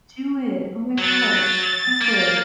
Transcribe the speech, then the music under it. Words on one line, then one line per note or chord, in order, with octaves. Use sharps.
Do it. Oh my gosh. Go for it.
F#3 A6
A#3